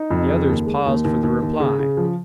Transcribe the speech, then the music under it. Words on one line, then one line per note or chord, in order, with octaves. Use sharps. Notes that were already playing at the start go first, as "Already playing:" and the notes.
The others paused for the reply.
Already playing: D#4
F2
C#3
D#2
G#3
D#2
D#2
D#2
D#2
C#3
C#3
F3